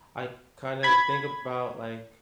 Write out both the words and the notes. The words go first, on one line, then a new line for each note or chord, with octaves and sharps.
I kind of think about, like,
B5 G#6